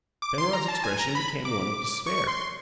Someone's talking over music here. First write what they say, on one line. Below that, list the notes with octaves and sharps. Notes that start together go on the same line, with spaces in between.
Penrod's expression became one of despair.
D6
C6
A#5
A5
G#5
A#5
B5
D6
C#6
C6